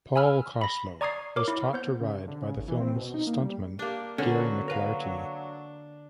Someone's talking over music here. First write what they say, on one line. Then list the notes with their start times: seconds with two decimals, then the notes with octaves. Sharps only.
Paul Koslo was taught to ride by the film's stuntman Gary McLarty.
0.16 G#5 B5 E6 F6
0.61 B5 A#6
1.01 D5 A#5 C#6 D#6 G#6 C7
1.36 A#4 C#5 D6
1.48 E4
1.73 B3 C5 G6
2.00 C#3
2.13 C3
2.28 D3
2.42 C#3
2.56 G#1
2.68 E3
2.80 C4
2.96 B2
3.14 D#4
3.27 A#3
3.41 G3
3.79 A#3 D4 G4
4.18 D3 F#3 C#4 F#4 B4
4.68 D4 A#4 B4 F5